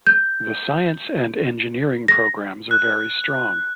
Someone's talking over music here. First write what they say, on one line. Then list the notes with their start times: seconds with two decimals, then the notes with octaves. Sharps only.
The science and engineering programs are very strong.
0.07 G6
2.08 A#6
2.71 F#6